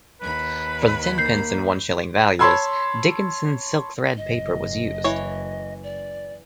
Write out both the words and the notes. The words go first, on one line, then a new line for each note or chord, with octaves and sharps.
For the ten pence and one shilling values, Dickinson silk thread paper was used.
D#2 B4 B5
A#3 G6 C7
C#5 A5 B5 C6 E6 G#6
F#1 D#5
E3 C#5
D5